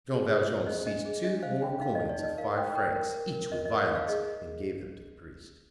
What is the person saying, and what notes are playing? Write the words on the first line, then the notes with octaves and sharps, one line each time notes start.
Jean Valjean seized two more coins of five francs each with violence, and gave them to the priest.
G#4
G#4
C5
C5 D#5
D4 D#5
G#4
D4 D#5
C5 F5
D4 G5
D#4 F5
D#4 D#5
D5
D#4 D#5
A#4 F5
D#4 G5
A#4 G5
A#4
A#4
A#4
A#4 D#5
D#5
A#4
D#5
D#4
F5
G#4 D#5